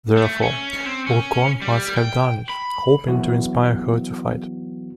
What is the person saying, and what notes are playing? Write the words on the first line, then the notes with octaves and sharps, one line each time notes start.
Therefore, Urkonn must have done it, hoping to inspire her to fight.
A3
C#4
C4
C#4
G3
G5
B5
C2 E3 F#3 B3 E4 F#4